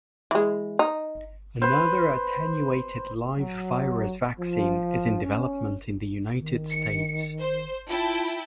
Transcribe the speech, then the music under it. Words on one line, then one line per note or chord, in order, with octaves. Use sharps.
Another attenuated live virus vaccine is in development in the United States.
E3 G#3
D#4
B4 C5
F#3
F3
C#4
D#3
C#7
C5
E4 F4 G5 A5